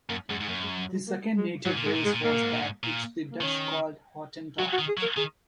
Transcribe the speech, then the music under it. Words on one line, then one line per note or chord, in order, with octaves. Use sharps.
The second native race was that which the Dutch called Hottentot.
F#2 A#3
F#2 G#3
G#2
G#3
F#2 A#3
G#3
F#3
F#3
G#3
A#3
G#3
G#2 F#3
A#2
G#2 G#3
A#2
G#2 G#3
A#2
G#2 A#3
A#2
G#2
A#2
G#2
A#2
A#3
D#3 C#4
F#3 F#4
F#4
D#3
G#4
F#3
A#4
D#3 G#4